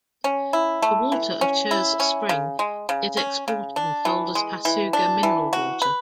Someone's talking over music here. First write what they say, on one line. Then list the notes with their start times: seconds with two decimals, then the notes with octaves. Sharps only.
The water of Chur's spring is exported and sold as Passugger mineral water.
0.24 C#4
0.53 E4
0.82 A3
1.12 E3
1.41 C#4
1.71 E4
2.00 C#4
2.29 C#3
2.59 G#3
2.89 C#3
3.17 C#4
3.48 C#3
3.76 D4
4.05 E3
4.35 G#3
4.65 E3
4.93 D4
5.23 E3
5.53 F#4
5.82 B4